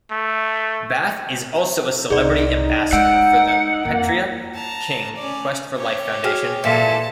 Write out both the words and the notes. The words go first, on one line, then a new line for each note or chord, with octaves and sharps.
Bath is also a Celebrity Ambassador for the Petrea King Quest for Life Foundation.
A3
C2 D#4 G#4 D5
G#3 F#5 E6 G6 D7
F2 A#3
A5 A#5
C#4 D5
G4 C#5
F#4 G#4 G5 F6
A#2 E3 A4 E5 F5 A5 B6